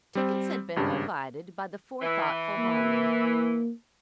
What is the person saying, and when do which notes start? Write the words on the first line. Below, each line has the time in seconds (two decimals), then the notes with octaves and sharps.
Tickets had been provided by the forethoughtful Harmon.
0.15 G3 C4
0.76 G#1 G2 C#3
2.01 E3
2.58 A#3